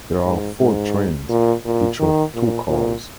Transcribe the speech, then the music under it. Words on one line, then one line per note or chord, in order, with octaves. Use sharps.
There are four trains, each of two cars.
G#2
G#2
A#2
A#2
D#3
A#2
A#2